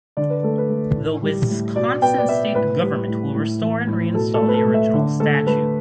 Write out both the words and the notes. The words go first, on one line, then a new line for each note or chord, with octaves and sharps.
The Wisconsin state government will restore and reinstall the original statue.
D3 D5
B4
A3 A4
B4
A3
A2
G3
A2
B2 D5
B3 G5
D5
B3 E5
A2 B4
G3
A2
A2
E3
A2
B2 A4
A4
A3
B4
A4
A3
E5
D3
A3 A4
A3 B4